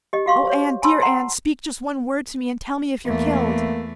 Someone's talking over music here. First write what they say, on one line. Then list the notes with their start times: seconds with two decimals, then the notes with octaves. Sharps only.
"Oh, Anne, dear Anne, speak just one word to me and tell me if you're killed."
0.13 G4 D#5
0.26 F#4 F5 C6 C#6
0.47 C5 C#5
0.82 G#5 A5 B5 C6 E6
1.02 F#5 A5 A#5 C6
3.05 E2 A3 A#3